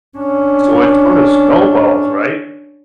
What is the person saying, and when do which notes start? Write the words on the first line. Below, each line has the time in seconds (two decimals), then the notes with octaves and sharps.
so it's sorta snowballs, right?
0.18 C#4 D4